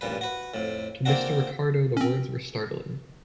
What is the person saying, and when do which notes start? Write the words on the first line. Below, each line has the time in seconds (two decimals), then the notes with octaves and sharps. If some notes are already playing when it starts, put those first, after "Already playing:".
To Mr. Ricardo the words were startling.
0.01 A1 G2 A#2 B4
0.21 F#4 B4
0.54 F2 A2
1.06 A#3 C4 D4 F#4
1.97 C4 C#4